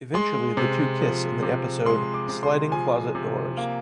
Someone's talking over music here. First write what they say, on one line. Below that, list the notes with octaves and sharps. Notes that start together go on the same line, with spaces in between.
Eventually the two kiss in the episode "Sliding Closet Doors".
G#3 C6
C3
F3
C3
G#3 C6
D6
C3
C6
F3 G#5
C3
A#3